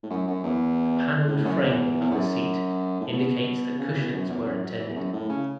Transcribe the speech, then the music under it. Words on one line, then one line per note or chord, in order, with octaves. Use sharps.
The panelled framing of the seat indicates that cushions were intended.
A2
F#2
F#2
E2
A2
F#2
E2
E2
F#2
A2
B2
C#3
E3
B2
F#2
E2
F#2
F#3
E3
E2
F#2
A2
C#3